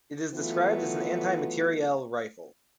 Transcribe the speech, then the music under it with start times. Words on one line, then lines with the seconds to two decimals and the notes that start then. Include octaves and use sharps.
It is described as an anti-materiel rifle.
0.34 E3 F#3 A3 B3 F4